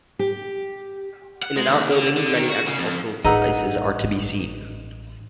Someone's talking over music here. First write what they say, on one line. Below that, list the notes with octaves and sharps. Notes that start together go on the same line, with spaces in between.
In an outbuilding, many agricultural devices are to be seen.
G4
F#5
G#3
D#2
D3
D3
D#3
F#4
C#3
F2
A1 D#4 G#4 B4 D#5 F#5 A#5 E6